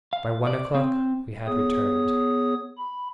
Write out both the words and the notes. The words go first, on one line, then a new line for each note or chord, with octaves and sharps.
By one o'clock we had returned.
F5
D5
C4
B3 G#4 C#5 D#6
B5